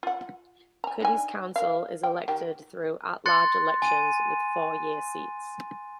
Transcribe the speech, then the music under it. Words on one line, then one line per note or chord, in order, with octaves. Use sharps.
Cudahy's council is elected through at-large elections with four-year seats.
F4 F#5
G#5 A#5
D4 D#4 G#5
A#4 F5
G5
D#3 G4
C6 F#6 A6 C#7
G#5 D#7